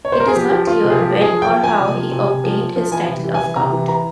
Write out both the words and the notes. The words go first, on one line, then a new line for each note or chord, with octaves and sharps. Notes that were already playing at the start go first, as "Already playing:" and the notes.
It is not clear when or how he obtained his title of count.
C#5
C5
A#4
G#4
F3 G4
F3
F3 F4
C3
G#4
F3 G4
F3
G#4
F3
G5
F3
F3 G#5
C3
F3
C3
C3
F3
F3
F3
E3 G#5
C3
E3
G#5
E3
C3 A#5
E3
E3 A#5